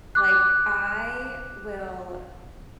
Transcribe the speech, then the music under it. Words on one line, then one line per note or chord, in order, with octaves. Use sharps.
Like, I will
D6 F#6